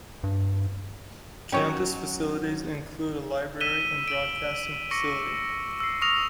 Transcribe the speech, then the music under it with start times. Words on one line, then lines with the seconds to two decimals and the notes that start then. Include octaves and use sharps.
Campus facilities include a library and broadcasting facility.
0.24 G2
1.52 F#3 C#4 C#5 G5
3.60 E6 B6 D#7 E7 G7
4.08 D7 F#7
4.91 C#6 D6 E6 A#6 C#7
5.80 E6 C7
6.01 C#6 D#6 F6 A#6 F7